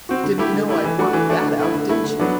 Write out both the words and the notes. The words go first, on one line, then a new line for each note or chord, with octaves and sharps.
Didn't know I'd worked that out, did you?
C4 F#4
D3
A3 E4 G4
D3
A3 E4 G4
E3
A3 D4 F#4
E3
A3 D4 F#4
D3
A3 E4
D3
A3 E4
D3
F#3 B3 D4